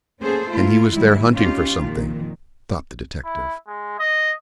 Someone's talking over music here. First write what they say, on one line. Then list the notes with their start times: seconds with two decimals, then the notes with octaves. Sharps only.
"And he was there hunting for something," thought the detective.
0.20 A#3 B3 C#4 G#4 A4 C5
0.50 A3 A#3 E4 F4
0.90 D#2 G#2 G3 E4
1.32 C#4 D#4 F4 G4
1.80 F2 A#2 D#3
3.25 E4
3.67 G#3
3.99 D#5